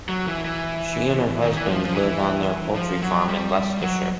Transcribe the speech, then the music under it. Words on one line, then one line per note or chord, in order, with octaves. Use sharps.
She and her husband live on their poultry farm in Leicestershire.
F#3
E3
E3
D#3
E3
F3
F3
E3
F3
F#3
G3
F#3